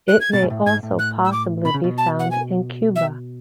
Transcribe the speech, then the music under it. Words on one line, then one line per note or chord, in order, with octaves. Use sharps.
It may also possibly be found in Cuba.
F#6
G#6
B2 A6
G#2
A2
G#2 G#6
A2
F#6
E6
D6
B2 B5
C#3
B2
A5
F#5
G#5
E5